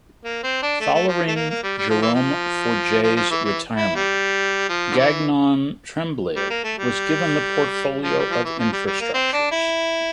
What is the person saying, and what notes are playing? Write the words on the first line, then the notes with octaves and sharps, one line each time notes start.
Following Jerome-Forget's retirement, Gagnon-Tremblay was given the portfolio of Infrastructures.
A#3
C4
D4
A3
A3
F3
A3
A#3
A#3
G3
G3
F3
E3
F3
F3
F3
E3
E3
E4
G3
F3
D3
E3
G3
A#3
A3
G3
F3
G3
F3
E3
F3
G3
G3
A#3
C4
D4
E4